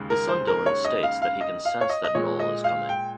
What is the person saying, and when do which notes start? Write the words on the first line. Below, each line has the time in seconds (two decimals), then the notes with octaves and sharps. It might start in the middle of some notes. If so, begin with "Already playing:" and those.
His son Dylan states that he can sense that Knull is coming.
Already playing: D#2 C#3 G#3
0.10 A#4
0.29 C5
0.47 A#4
0.66 C#5
0.85 D#5
1.03 F5
1.22 F5
1.41 D#5
1.65 F5
1.81 C#5
1.90 D#5
2.04 D#5
2.15 A#2 G#3 C#5
2.39 D#5
2.64 F5
2.89 G5